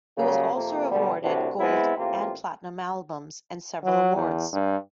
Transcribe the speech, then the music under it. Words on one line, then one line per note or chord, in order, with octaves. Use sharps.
It was also awarded gold and platinum albums, and several awards.
C#3 F#3 G3 A#3
F2 C3 F3 A#3
B2 D3 G3
C2 A2 C3 D4 F#4
G#3 B3 C4 E4
A1 A#3 C4 F4 G4
F#3
E2
G2